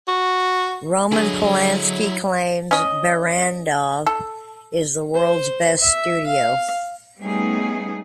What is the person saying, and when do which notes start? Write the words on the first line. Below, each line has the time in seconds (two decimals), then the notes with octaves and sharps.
Roman Polanski claims Barrandov is the world's best studio.
0.08 F#4
1.12 D3 F#3 E4 G#4 D#5
2.71 C#4 D#5
4.06 A4
5.14 C5
5.80 E5
6.27 F5
7.19 G3 A3 B3 C#4 D#4 G#4